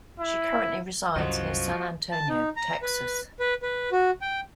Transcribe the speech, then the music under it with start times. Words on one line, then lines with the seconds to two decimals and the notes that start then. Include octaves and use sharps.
She currently resides near San Antonio, Texas.
0.20 E4
1.16 C2 F#2 F3 F#4 C5 D#5
2.11 A5
2.29 D#4
2.56 A#5
2.82 B4
3.40 B4
3.62 B4
3.92 F#4
4.21 G5